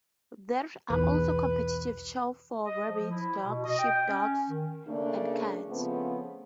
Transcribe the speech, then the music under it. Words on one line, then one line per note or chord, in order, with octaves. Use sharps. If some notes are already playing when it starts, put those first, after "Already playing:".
There are also competitive shows for rabbits, dogs, sheepdogs, and cats.
B1 E2 B4
D#5
F3
E4
B2
D#5
G5
C#4
D#3
C#3 A3 A#3 D4
C#3 F3 A3 B3 C4